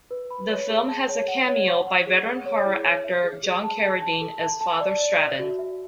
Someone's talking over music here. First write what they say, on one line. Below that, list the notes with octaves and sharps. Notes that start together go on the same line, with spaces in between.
The film has a cameo by veteran horror actor John Carradine as Father Stratten.
B4
B5
C#5
G#4
A5
C#5
F#5
C#5
C#6
F#5
G#4
G#4
C#5
E4
C#5
E5
G#4
G#4
A5
A5
A5
A4
A5
A5
D5
D5
E5
F#4
E5